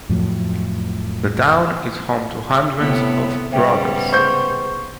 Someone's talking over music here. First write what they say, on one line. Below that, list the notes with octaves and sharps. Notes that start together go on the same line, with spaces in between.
The town is home to hundreds of brothels.
F2 A2 F3 F#3
A2 C3 B3
G#2 C#3 G3 B3 C5 E5 G5
C5 C#6 G6